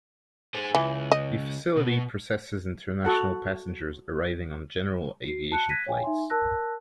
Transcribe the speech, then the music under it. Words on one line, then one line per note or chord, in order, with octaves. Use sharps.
The facility processes international passengers arriving on general aviation flights.
G#4 C5
C#2 E3
D#5
B2
F#4 A4 F#5
F#4 C7
A5 F#6 C#7
F#6 G#6 A#6 B6 D#7
C#5 F5 G5 G#5
D#4 E5 G#5 C6
A#4 A5 E6 F#6 A#6